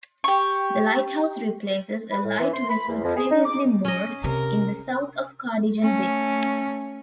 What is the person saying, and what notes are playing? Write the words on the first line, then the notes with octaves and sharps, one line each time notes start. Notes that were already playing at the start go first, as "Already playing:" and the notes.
The lighthouse replaces a light-vessel previously moored in the south of Cardigan Bay.
G4 C#6
B4
A2
E3
C6
B5
E2
F2
G#4
D#4
D6
C#4 D#5
C3 A#4
A3 C#4